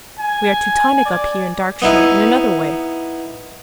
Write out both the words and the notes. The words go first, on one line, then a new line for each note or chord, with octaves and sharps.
We are Teutonic up here in Darkshire in another way.
G#5
D5
B3 D#4 E4